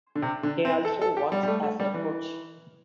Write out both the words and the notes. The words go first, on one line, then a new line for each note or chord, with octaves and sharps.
He also works as a coach.
D3
C3
D3
C4
A4
A4
G4
G3
G3
A3
A3
G3
E3